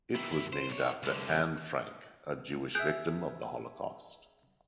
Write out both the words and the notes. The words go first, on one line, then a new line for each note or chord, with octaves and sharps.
It was named after Anne Frank, a Jewish victim of the Holocaust.
D#3 E4
F#2 E4
C5
B1 C#5
C2 D3
G#4 E5 F#6 G6 D7